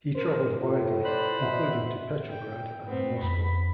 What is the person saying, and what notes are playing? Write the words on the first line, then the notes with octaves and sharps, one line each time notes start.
He travelled widely, including to Petrograd and Moscow.
A#4 C5
A2 F4
C5 D5 B5 F#6
B2 E5
G5
A3 B3 C4
F2 B5